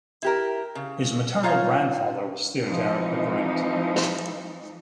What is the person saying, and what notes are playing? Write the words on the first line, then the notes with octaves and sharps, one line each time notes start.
His maternal grandfather was Theoderic the Great.
E4 G4 A#4
C#3
D#4 F4 C#5 F5
E3 F3 G#3 C4 D#4